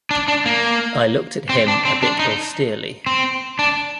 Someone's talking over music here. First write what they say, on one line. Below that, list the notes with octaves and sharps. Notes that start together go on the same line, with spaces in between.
I looked at him a bit austerely.
D4
D4
A#3
C4
D4
C4
D4
D#4
C4
D4